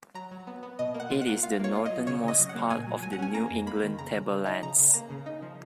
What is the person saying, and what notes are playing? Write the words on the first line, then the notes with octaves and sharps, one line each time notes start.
It is the northernmost part of the New England Tablelands.
F#3 A#5
F#3
B3
B3
B2 D#5
A#3
F#5
F4
F#5
A#3
F4 F5
A#3 C#5
F4
F#3 D#5
C#3 C#5
C#3 D#5
F#3
F#5
A#3
A#2 G#5
F#3
F#3 G#5
F#5
C#4 G#5
A#3 A#5
F2
A#3 B5
D#3
C#3 A#5
C#3
C#3
D#4
C#3 A#5
C#3
A#3 A#5
C#3
D#4
F3